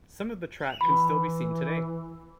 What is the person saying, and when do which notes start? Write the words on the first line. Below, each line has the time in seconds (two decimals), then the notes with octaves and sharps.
Some of the track can still be seen today.
0.81 E3 B5